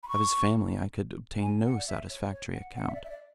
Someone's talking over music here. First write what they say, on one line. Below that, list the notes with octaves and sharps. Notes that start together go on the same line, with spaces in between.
Of his family I could obtain no satisfactory account.
B5
C#6
G#5
F#5
D5
E5
C#5
C#5
F#5
F#5
E5
D5
E5
D5